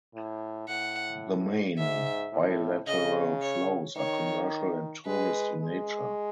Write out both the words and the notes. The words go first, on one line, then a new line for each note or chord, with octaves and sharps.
The main bilateral flows are commercial and tourist in nature.
A2
A2 F#5
G#2 E5
A2
C#3 D#5
C#5
D#3 C#5
G#3 B4
G#3